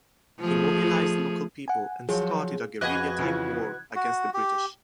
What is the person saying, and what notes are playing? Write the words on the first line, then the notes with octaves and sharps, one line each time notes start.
He mobilised local people and started a guerrilla type war against the British.
F3 A3 G#4
F#5 G#5
F3 F#3 F4 G#4
F2 F#4 G#4 B4 D#5 F#6 G#6
C#3 E3 F3
F#4
G4